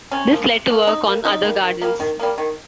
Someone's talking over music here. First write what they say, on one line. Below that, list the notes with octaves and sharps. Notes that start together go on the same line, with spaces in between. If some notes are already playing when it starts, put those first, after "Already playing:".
This led to work on other gardens.
C3 C#4
F3 A#3
C3
F3 A#3
C#3 D#4
G3 A#3
C#3 D#4
G3 A#3
D#3
G3 A#3
D#3
G3 A#3
D#3